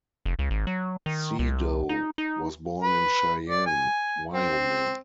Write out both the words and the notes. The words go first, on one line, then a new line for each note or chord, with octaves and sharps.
Siedow was born in Cheyenne, Wyoming.
F1
C#2
G#1
F#3
D#3
C2
D#4
D#4
B4
D5
G#5
C4